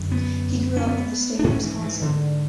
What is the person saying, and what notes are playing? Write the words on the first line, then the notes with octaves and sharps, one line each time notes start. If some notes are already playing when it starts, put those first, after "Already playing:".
He grew up in the state of Wisconsin.
Already playing: F#2 D3
B3
C#4
B3
D4
G#2 C#4
E3
E3
D3